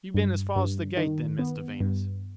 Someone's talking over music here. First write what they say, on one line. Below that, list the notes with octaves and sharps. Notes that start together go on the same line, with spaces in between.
'You've been as far as the gate then, Mr Venus?'
G2
G2
D#3
B3
G2